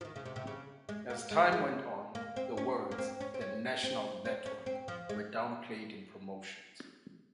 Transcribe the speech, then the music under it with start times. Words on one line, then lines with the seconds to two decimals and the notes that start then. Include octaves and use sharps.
As time went on, the words "The National Network" were downplayed in promotions.
0.01 F3
0.05 D#3
0.16 C#3
0.25 C3
0.36 C3
0.47 C#3
0.89 G#3
1.10 A#3
1.31 G#3
1.52 G#3
2.15 A#3
2.36 C4
2.57 C#4
2.91 A#3
2.98 C4
3.20 C#4
3.34 C4
3.41 C#4
3.83 C4
4.25 C4
4.46 C#4
4.66 C4
4.88 F3
5.09 G#3